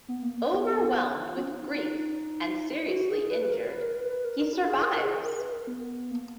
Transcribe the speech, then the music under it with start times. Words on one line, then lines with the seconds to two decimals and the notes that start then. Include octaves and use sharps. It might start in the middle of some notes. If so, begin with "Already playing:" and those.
Overwhelmed with grief and seriously inured, he survives.
0.08 B3
0.22 A#3
0.37 B3
1.37 C#4
1.51 D#4
1.66 D#4
2.66 E4
2.87 F#4
3.09 G#4
3.30 B4
3.42 B4
3.52 A#4
3.67 B4
3.80 A#4
3.96 B4
4.10 B4
4.24 A#4
4.39 A#4
4.53 E4
4.67 G#4
4.82 A#4
4.93 A#4
5.02 G#4
5.24 A#4
5.39 B4
5.53 A#4
5.67 B3
6.11 A#3